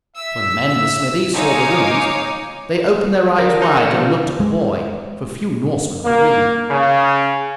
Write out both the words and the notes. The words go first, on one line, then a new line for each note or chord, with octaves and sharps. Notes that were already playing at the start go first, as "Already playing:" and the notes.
When the men in the smithy saw the runes they opened their eyes wide and looked at the boy, for few Norsemen could read.
E5 E6
G#3 D#4 C#5 F5 D6
D3 G3 A#4
G#3 D#4 F#4
D3 D#3 F3 G3
G#3
A#3
C#3